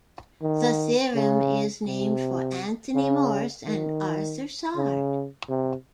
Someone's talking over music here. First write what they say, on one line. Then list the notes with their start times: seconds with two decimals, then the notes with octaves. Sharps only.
The theorem is named for Anthony Morse and Arthur Sard.
0.42 D#3
1.15 C#3
1.87 C3
2.95 C#3
3.67 D#3
4.76 C#3
5.49 C3